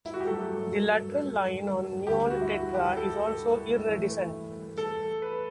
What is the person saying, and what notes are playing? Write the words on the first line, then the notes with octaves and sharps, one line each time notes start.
The lateral line on the Neon tetra is also iridescent.
E4
F#4
G4
G2 F#3 A3 A4
D2 D3 G3 G4
F#4
E4
F#4
G4
A4
A2 E3 A3
A4
B4